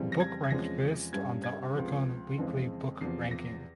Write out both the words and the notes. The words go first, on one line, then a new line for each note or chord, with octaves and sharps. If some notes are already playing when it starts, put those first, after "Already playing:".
The book ranked first on the Oricon weekly book ranking.
Already playing: F2 C#3 E3 G3 C4
A#6
G#6
G#6
E2 C3 F3 G#3 C#4 A#6
G2 G3 C#4 G#6
G#6
C#2 C3 F3
F2 C#3 E3 G#3 C4
E2 C3 F3 C7
A#6